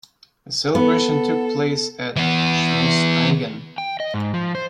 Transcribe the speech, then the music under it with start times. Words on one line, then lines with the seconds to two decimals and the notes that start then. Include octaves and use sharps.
The celebration took place at Schloss Aigen.
0.75 B3 A4
2.17 E3 B3
3.78 G5
4.00 D#5
4.14 G#2
4.34 F3
4.55 C5